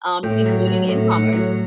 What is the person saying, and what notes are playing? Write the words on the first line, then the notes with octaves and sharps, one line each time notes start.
um, including in commerce
A2 G5
F#3
F#3
A2
A2 F#5
F#3